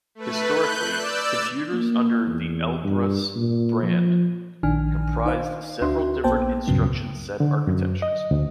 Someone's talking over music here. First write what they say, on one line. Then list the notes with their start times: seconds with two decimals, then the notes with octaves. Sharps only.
Historically, computers under the "Elbrus" brand comprised several different instruction set architectures.
0.15 A3 B4
0.49 F#6 G6
0.94 D5 E6
1.73 A#3
2.26 E2
2.84 G2
3.36 A#2
3.82 F3
4.63 A#1 D#3 D4 G#5 F6
5.26 D#4 C5 F5
5.81 D2 D4 F#4 E5 C6
6.24 A#1 A#3 B3 C5 G5 A5
6.67 C#2 G2 A#2 C#3 F#3 B3
7.40 D3
7.67 F#2
8.02 D#5
8.31 D2